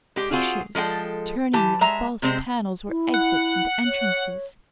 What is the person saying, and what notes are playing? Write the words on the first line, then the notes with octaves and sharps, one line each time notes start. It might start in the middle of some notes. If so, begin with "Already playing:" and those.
Pictures turning on false panels were exits and entrances.
G#3 G4
C4 F4 F#4 G#4
F3 G#3 A4 G5
E3 G4 A5
G#3 E5 A#5
C3 G#3 C4
E4
F#5
C#5